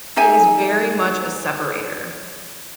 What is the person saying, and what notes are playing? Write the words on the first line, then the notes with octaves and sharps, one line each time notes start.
it is very much a separator.
D#4 G#4 E5 G#5